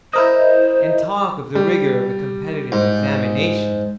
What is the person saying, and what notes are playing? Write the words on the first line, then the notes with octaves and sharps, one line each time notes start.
And talk of the rigour of a competitive examination!
E4 A#4 C5 D#5
G3
G#2